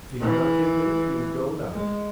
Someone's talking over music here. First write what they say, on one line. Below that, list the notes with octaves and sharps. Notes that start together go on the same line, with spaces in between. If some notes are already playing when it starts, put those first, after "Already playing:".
If he could not get leave he would go without it.
E3
G#3